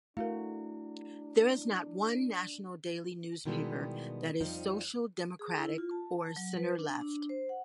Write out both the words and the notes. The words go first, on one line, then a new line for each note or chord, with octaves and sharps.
There is not one national daily newspaper that is Social democratic or centre-left.
A3 D4 E4 F#4 A#4 F5
B2 D#3 E3 G3 G#3 B3
F2 F3 G3 D#4
G#4
E4
F4
A5
F#3
B4
D4
D4
C5
F#5